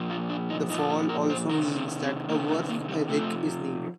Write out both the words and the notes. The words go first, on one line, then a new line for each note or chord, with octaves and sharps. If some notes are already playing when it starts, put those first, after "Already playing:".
The Fall also means that a work ethic is needed.
Already playing: A#2 F3
F4
D4
D#4
A#2 F3 D#4
F4
A#4
C5
C3 D#3 A#4
C4
C4
C3 D#3 A#3
A3
A#3
G3
C3 F3 A3